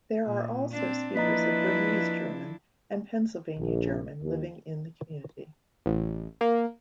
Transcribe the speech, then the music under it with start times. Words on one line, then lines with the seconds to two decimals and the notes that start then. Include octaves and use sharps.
There are also speakers of Bernese German and Pennsylvania German living in the community.
0.24 A#2
0.71 C4 D4
1.15 F3 A#3 D4 E4 B4 D#5 A#5
3.58 A#1
4.22 D#2
5.86 A1
6.41 A#3